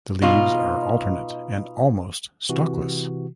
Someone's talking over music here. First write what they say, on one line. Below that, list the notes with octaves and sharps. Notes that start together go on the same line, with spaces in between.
The leaves are alternate and almost stalkless.
B2 D#4 F4
C3 E3 F#4